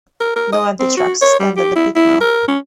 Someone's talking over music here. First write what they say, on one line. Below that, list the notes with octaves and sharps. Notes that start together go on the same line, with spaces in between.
No empty trucks stand at the pit-mouth.
A#4
A#4
D#5
C4
F#4
C#5
G3
G4
E4
E4
A#4
C#4